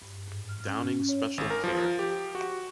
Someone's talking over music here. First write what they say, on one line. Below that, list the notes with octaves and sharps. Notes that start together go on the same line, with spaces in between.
Downing's special care.
G2
G#2
F6
C#4
C#4
C#5
G#1
A#4
F3
G4
F#4